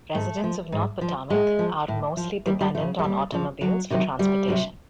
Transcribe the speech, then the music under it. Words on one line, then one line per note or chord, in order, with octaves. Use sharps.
Residents of North Potomac are mostly dependent on automobiles for transportation.
G#2 A3
F3
G#2
F3
A2 G#3
F3
A2
F3
D#2 G3
G3
C#3 F3 A3
G#3
D#2 G3
C#3 F3
D2 F#3
C3 D#3 F#3
D2 G3
C3 D#3 F#3